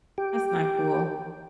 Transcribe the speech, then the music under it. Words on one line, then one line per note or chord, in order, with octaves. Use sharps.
That's not cool.
G4